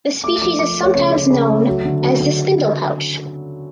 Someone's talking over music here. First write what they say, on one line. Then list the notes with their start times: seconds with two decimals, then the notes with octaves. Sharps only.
The species is sometimes knows as the "Spindle Pouch".
0.24 A3 D6
0.42 F3 D6
0.59 F3 D6
0.78 A3
0.83 C#5
0.95 C#3 C#5
1.14 C#3
1.30 C#3
1.49 A3
1.67 F#3
1.85 D3
2.02 F#3
2.20 D3